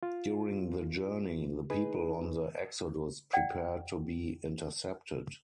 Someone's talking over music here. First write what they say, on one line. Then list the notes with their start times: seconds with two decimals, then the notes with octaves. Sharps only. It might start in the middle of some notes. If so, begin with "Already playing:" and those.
During the journey, the people on the "Exodus" prepared to be intercepted.
0.03 F4
1.70 D#4 G#4 B4
3.33 D5 F#5 G5